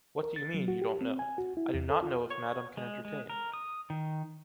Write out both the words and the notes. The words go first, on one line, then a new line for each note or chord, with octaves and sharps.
What do you mean, you don’t know? I do not know if madam can entertain.
A#4
A6
F#3
F#4
G4
C4
G#5
F#4
E4
E2
A4
F4
C#5
G#3
G#3
A#4
D#6
D#3